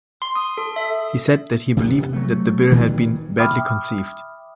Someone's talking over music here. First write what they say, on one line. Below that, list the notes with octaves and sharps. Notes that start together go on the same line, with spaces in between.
He said that he believed that the Bill had been 'badly conceived'.
C6
D#6
A4
E5
C3 B3
F#3 A3
G2 A#2 D#3 E3
E5 G5 B5 D6 D#6 F6